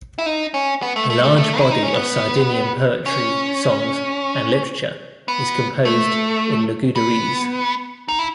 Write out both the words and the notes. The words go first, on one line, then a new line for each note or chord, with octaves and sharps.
A large body of Sardinian poetry, songs and literature is composed in Logudorese.
E4
D#4
C#4
B3
A3
A3
A3
A3
E4
D#4
C#4
B3
C#4
B3
A3
B3
D#4
E4